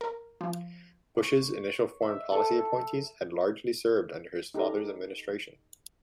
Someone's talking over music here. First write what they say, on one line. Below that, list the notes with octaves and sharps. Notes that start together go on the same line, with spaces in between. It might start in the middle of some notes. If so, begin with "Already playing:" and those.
Bush's initial foreign policy appointees had largely served under his father's administration.
A#4
F3
C#5
E5
A4
D#4 G4 A4 A#5